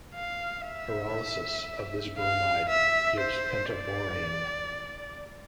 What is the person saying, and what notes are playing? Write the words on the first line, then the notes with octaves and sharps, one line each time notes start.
Pyrolysis of this bromide gives pentaborane.
F5
E5
F5
E5
C5
D5